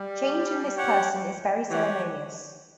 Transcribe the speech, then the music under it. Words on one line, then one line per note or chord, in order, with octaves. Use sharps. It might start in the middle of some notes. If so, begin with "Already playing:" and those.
Changing this person is very ceremonious.
Already playing: G3
G4 C#5 F#5
E3 G4 C#5 F#5